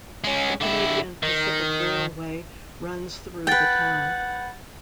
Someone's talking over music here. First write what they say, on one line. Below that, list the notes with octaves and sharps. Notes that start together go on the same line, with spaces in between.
The Canadian Pacific Railway runs through the town.
G#3 C#4
D3 E4
D#3
B4 F#5 G5 G6 A6